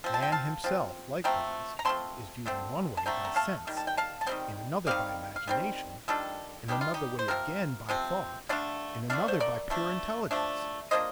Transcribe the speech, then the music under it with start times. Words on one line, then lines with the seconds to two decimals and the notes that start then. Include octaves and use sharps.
Man himself, likewise, is viewed in one way by Sense, in another by Imagination, in another way, again, by Thought, in another by pure Intelligence.
0.04 F3 C4
0.14 A5
0.22 G5
0.32 F5 A5
0.64 F3 C4
1.24 F3 A3 C4 G5 A#5
1.79 A#5
1.85 F3 A3 C4 A5 C6
2.46 D3 A3 C4
2.97 A5
3.06 D3 A3 C4 G5 A#5
3.25 A#5
3.36 F5 A5
3.67 D#3 G3
3.77 A5
3.87 G5
3.97 F5 A5
4.21 A5
4.26 D#3 G3 C4 G5
4.87 D#3 G3 C4 D5 F5
5.36 F5
5.48 D#3 G3 C4
6.08 D#3 G3 D4 F4 A4
6.68 D#3 G3 D4 G4
6.81 F4
6.94 D#4 G4
7.19 C5
7.28 C3 F3 C4 A#4
7.89 C3 F3 C4
8.49 D3 A3 D4 D5 F5
9.10 D3 A3 D4 D5 F5
9.28 C5
9.40 A#4 D5
9.70 F3 A3 D4
10.31 F3 A3 D4
10.91 F3 A#3 D4 C5 D#5